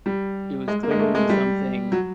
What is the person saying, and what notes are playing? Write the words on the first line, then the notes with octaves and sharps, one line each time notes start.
it was clearly something,
G3
G#3
A#3
G#3
A3
G#3
G3
F#3